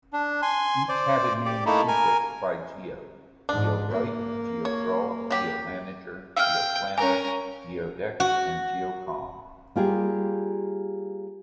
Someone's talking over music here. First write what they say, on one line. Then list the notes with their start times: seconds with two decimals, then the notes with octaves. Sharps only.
Each had a name prefixed by "Geo": GeoWrite, GeoDraw; GeoManager; GeoPlanner; GeoDex, and GeoComm.
0.13 D4
0.42 G#5 C6
0.89 C5 D5
1.45 G4 D5
1.66 A3 A#3 D#4 E4
1.88 A#4 G#5
3.49 G#2 D4
3.91 A#3
4.65 C#5
5.31 F#3 G4
6.37 F5 G5 E6 F6
6.98 C#4 A#4 G#5
8.20 F#4
9.76 G3 A#3 F4 G4 G#4